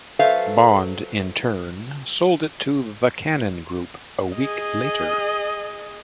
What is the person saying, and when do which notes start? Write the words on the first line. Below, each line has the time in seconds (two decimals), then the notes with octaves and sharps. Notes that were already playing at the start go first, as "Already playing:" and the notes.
Bond, in turn, sold it to The Cannon Group a week later.
0.19 F#3 A4 B4 C5 E5 F5
4.35 G#4 D#5